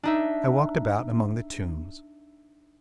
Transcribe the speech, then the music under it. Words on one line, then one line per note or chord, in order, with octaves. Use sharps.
I walked about among the tombs.
D4 D#4 E5